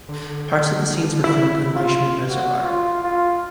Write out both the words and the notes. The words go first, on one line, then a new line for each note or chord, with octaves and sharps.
Parts of the scenes were filmed in Lishimen Reservoir.
D3
E4
F4
F#4
F4
F4